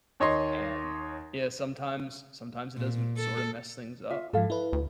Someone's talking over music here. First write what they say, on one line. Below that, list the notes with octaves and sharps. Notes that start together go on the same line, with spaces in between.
And, yeah, sometimes sometimes it does m sort of mess things up.
D#2 C#5 D#5 C6
A#2
A4
F4 E5
G#2 F3 A4 F5
E4 B4
D2